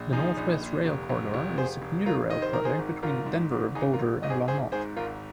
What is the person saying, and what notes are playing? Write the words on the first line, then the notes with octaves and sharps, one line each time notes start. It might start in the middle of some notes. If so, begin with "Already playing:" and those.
The Northwest Rail Corridor is a commuter rail project between Denver, Boulder, and Longmont.
Already playing: A#1
F3 D#4 G#4
A#1
A#2
F1
F1
F1
F1 G#4 C5
F1
F1 F4 A#4
D#3 D#5
C5
D#3 A#4
G#4 C5
G#1
G#1 F4 A#4
G#2
G#1
G#1 D#4 G#4
F4 A#4
G#1
G#1 D#5
G#4 C5
G#1 G#4 C5
G#2 G#4 C5
G#1 F4 A#4